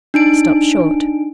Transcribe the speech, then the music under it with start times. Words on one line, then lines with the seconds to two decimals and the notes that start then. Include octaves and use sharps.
He stopped short.
0.14 D4 D#4 D7